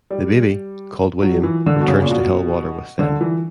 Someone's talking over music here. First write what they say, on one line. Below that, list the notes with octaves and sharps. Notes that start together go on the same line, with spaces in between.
The baby, called William, returns to Helwater with them.
G3
F#3
E3
D3
B2
C#3
A#2
B2
D3
E3